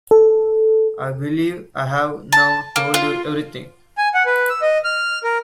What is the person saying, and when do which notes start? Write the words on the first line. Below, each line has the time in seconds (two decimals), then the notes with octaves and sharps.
I believe I have now told you every thing.
0.11 A4
2.32 A5
2.76 A#3
2.94 F4
3.98 G#5
4.14 F#5
4.26 B4
4.50 E6
4.62 D#5
4.84 F6
5.24 A#4